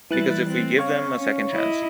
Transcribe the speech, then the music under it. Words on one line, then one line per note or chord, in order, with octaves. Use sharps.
Because if we give them a second chance.
E3 G3 E4 F#6 A6
C4
C#5 F5 C#6
C#4
E4 D#5